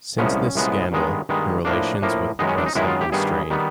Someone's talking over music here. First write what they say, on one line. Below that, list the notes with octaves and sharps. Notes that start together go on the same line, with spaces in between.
Since this scandal, her relations with the press have been strained.
C2 A#2 F3 G#3 B3 C#4
C2 A#2 F3 G#3 B3
G2 D#3 G#3 B3
G2 D#3 G#3 B3
A2 F3 A#3 D4
A2 F3 A#3
F#2 D#3 G#3 B3 D#4
C#4
D4
D#4
F#2 D#3 G#3 B3 E4
F4
G4
G2 D#3 G3 B3 G#4
D#3 G3 B3